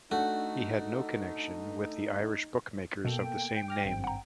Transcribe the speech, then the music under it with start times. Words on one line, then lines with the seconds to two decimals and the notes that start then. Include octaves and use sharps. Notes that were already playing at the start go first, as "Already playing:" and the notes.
He had no connection with the Irish bookmakers of the same name.
0.11 A3 D4 D#4 F#4 F#5
3.05 B2 A#3 B3 A4 G5
3.68 D6 F6 A#6
3.85 G#1 G2 C4
4.04 F#5 A#5